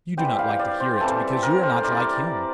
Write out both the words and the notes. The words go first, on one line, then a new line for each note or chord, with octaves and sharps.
You do not like to hear it because you are not like him.
E3 G3 C4 G5
F5
D5
C5
E3 G3 C4 A4
A#4
C5
E3 G3 C4 D5